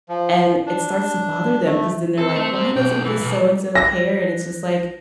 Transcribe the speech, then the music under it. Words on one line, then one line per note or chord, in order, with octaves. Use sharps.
And it starts to bother them 'cause then they're like, "Why doesn't this so-and-so care?" And it's just like,
F3
D4
A3
C4 A4
A3
G4 C5
B1 G5
E3
B1
A#6